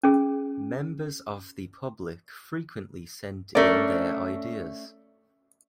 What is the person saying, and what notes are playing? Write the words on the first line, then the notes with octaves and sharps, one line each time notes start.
Members of the public frequently sent in their ideas.
C#4 G#4
A3 C#4 D4 A#4 D5